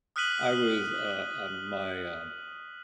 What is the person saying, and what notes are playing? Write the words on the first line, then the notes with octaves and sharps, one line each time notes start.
I was, uh, uh, my uh,
D#6 F6 F#6 B6 D#7 F#7